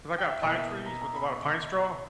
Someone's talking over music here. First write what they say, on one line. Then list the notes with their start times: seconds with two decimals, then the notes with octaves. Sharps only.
'cause I got pine trees with a lot of pine straw
0.18 G5
0.31 E5
0.42 B2 A#3 E4 D#5
0.58 E5
0.86 A#5
1.02 A#5
1.16 B5
1.30 C#6